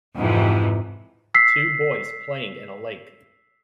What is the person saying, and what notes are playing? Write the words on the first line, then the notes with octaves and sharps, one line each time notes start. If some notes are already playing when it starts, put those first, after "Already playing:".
Two boys playing in a lake.
F2 G#2 C3 E3
E6 B6 C7